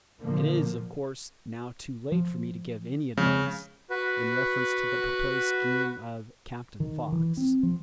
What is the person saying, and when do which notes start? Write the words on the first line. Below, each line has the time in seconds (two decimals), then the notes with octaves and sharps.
It is, of course, now too late for me to give any advice in reference to the proposed scheme of Captain Fox.
0.21 A#2 D3 F3 A#3
2.12 F3
3.17 C#3 F3 G#3 C4
3.90 F#4 B4
6.80 D#3
7.12 E3
7.37 C4
7.63 F3